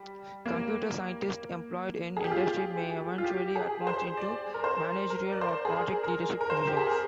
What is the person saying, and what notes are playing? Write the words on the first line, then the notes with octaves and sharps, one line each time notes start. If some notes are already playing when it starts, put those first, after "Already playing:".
Computer scientists employed in industry may eventually advance into managerial or project leadership positions.
Already playing: G3
A#3
G#4
G4
F4
F4
G4
G#4
C5
D5
A#4
C5
A#4
D5
C5
G#4
A#4
A#4
A#4
C5
G4
G#4
A#4